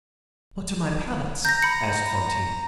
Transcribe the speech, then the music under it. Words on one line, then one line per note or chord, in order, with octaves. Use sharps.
"What are my palettes?" asked Fantine.
A#5 G6 A#6
B5 C#7